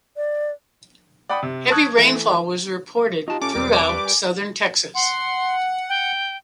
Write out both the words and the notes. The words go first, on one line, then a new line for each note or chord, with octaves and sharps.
Heavy rainfall was reported throughout southern Texas.
D5
D5 F#5 G5 B5 D#6
C3
A5 C#6 D#6 F#6 G#6
E3 A3
D#4 F4 G4 A5
C#4 A4 D6
B1 E2 G3 C4 A#4
A5 C#6
G3 G4 B4
G#5
F#5 C6
G5